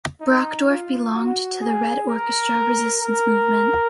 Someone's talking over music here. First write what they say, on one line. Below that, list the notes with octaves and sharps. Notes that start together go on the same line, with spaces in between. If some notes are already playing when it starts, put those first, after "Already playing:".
Brockdorff belonged to the Red Orchestra resistance movement.
D#4
F4
F#4
G#4
A#4
A#4